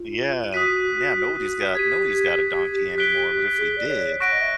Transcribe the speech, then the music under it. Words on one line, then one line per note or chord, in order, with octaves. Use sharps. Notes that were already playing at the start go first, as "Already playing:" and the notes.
Yeah, now nobody's got nobody's got a donkey anymore, but if we did
Already playing: F4
F#4 D#6 F#6 B6 D#7
G4 G#6 B6 D#7
F#6 B6 D7 G7
G#4
D5
C#5
F#5 C#6 F#6 A#6 D7
D#5
E5